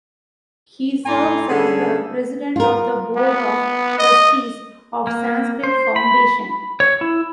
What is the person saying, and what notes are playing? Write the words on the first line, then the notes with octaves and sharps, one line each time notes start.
He serves as the President of the Board of Trustees of Sanskriti Foundation.
A2 D5 G#5 A#5 C6
D3 G3 C#4 G#4 A4
F4 A#4
B3
D#5
A#3
C5
B5
C#5
E4